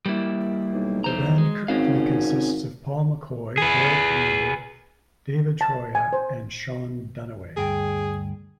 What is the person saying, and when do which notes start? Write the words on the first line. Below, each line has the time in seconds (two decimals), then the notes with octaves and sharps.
The band currently consists of Paul McCoy, Eric Weaver, David Troia and Sean Dunaway.
0.06 G3 A#3 E4
0.73 B1
1.04 E2 C5 A#5
1.38 G#3
1.68 G#1 C4 C#4 F5
3.58 G#4 B4
5.61 A5
5.95 G#5
6.13 C5
7.57 D2 G2 G#4 G5